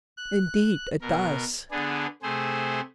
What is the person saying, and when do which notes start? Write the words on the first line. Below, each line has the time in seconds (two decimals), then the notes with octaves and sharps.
"Indeed it does."
0.17 F#6
1.01 B2 A#4
1.71 D3 B3 D4 G#4
2.23 C3 A3 G#4 C5